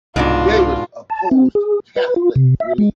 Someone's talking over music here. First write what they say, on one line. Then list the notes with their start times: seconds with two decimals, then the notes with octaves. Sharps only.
Davis opposed Catholic relief.
0.16 C2 G#2 B2 D4 F4
1.10 A5
1.31 C4
1.55 G#4
1.96 B4
2.16 F4
2.36 C3
2.60 E5
2.78 G#3